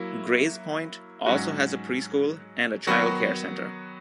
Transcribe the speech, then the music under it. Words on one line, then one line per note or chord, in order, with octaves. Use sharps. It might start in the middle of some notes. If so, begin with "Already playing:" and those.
Grays Point also has a preschool and a child care centre.
Already playing: F#3 A#3 E4
G#2 F#3 C#4 F#4
D#3 F#3 B3 F#4